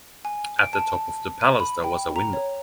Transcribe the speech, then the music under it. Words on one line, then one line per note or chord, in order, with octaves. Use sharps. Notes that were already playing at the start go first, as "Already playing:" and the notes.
At the top of the palace there was a window.
G#5
D7
A5
D#7
B5
G5
A#5
C#5